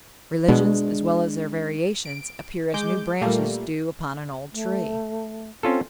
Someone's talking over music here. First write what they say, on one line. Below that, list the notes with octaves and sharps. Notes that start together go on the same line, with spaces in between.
Religions, as well as their variations, appear as new branches do upon an old tree.
B2 G#3 D4
D7
G#3 D6 G6
A#2 G3 A3 A#3
A3
C4 C#4 F4 A4